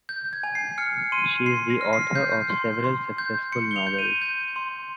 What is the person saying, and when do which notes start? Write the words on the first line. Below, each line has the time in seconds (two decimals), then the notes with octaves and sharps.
She’s the author of several successful novels.
0.09 G6
0.33 G#6
0.43 G#5
0.55 C7
0.78 F6 C#7
1.12 C6 D#7
1.46 C6 C7
1.70 A#6
1.81 F6
1.93 C7
2.15 G6
2.50 C6
2.84 C6
3.18 G6
3.52 C6 C#7
3.71 G7
3.76 F7
3.87 G6
3.98 D#7
4.22 G6
4.56 C6